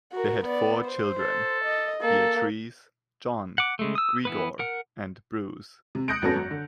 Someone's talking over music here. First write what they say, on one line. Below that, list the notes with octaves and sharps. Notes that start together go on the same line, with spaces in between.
They had four children; Beatrice, John, Gregor, and Bruce.
F#4 A#4
B3 D5
C5
A4
D#5
A#3 A4
F#5 D6
C#3 G#3 A3
D#6 E6
E3 B3 B4
A#4 F#5
C3
D#6 F#6 G6 A#6 C#7 D7
G#1 F#3 B3 C#4 A4 A#6
F#2
D3